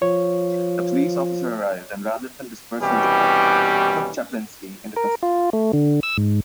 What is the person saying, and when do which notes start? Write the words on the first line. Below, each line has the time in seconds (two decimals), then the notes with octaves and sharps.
A police officer arrived and, rather than dispersing the crowd, took Chaplinsky into custody.
0.02 F3 C#5
2.81 C2 B2 E3 G3 C#4 G4
4.96 A#4
5.23 F4
5.53 A3
5.73 D3
6.03 E6
6.17 G#2